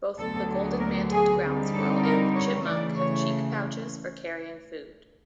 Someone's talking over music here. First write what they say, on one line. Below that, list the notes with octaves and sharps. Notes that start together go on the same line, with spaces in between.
Both the golden-mantled ground squirrel and the chipmunk have cheek pouches for carrying food.
D2 D3 F#3 B3 A4
A#4
G#4
D3 G3 C4 D#4
A4
A#4
C#5
C#3 E3 A3 D5
C#5